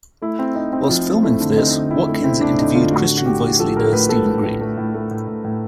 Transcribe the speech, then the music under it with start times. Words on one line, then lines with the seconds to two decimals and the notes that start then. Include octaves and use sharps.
Whilst filming for this, Watkins interviewed Christian Voice leader Stephen Green.
0.22 A3 E4
0.39 C4
0.55 C4 D#4
0.73 C4
0.89 F3 F4
1.06 C4
1.23 A3 E4
1.40 D3
1.57 C4 D#4
1.73 D3
1.90 C4 E4
2.08 A3
2.24 C4 E4
2.41 A3 D4
2.58 D3 D#4
2.75 D3 F4
2.91 A2 F#4
3.08 A2
3.17 F#4
3.25 A2 G4
3.43 A2
3.59 F3 A4
3.76 A2 A#4
3.92 A2 B4
4.09 A2 A4
4.27 A2
4.43 A2
4.61 A3
4.77 A2
4.94 A3
5.11 A2
5.28 A2
5.44 A2